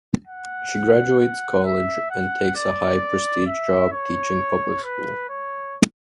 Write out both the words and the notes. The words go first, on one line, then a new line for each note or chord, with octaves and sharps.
She graduates college and takes a high-prestige job teaching public school.
F#5
F#5
E5
F#5
D5
E5
C#5
B4
C#5